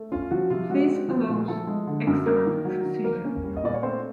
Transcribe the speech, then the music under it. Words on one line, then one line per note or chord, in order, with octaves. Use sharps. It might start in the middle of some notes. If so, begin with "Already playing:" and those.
This allows excellent precision.
Already playing: A3
C#4 F4
F3 F#4
C3 F4
G#3 F#4
C4
F3
A#2
F3 A3 A4
G#3
D3
F#2
A#3 A#4
D#3
F#3
D#3
A#3 A#4
C#4
G3
D#5
A#2 D5
C#5
A3 C4 C5